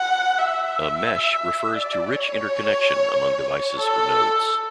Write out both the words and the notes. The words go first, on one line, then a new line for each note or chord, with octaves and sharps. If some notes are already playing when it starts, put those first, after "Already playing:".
A mesh refers to rich interconnection among devices or nodes.
Already playing: F#5
E5
D5
C#5
A4